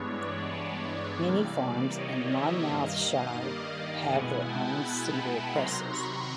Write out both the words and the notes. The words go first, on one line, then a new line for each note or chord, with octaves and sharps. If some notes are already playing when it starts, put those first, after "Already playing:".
Many farms in Monmouthshire have their own cider presses.
Already playing: G2 E3 G#3 B3 D4 C#5
D5
C3 E3 G3 A#3
C#5 D#5
D5 E5
G2 D#3 G3 A#3 D#5 F5
D5
D5
B2 G#3 B3 E4 F#5 G#5
G5 A5
A5 B5
C3 D#3 F#3 A#5 C6
B5 C#6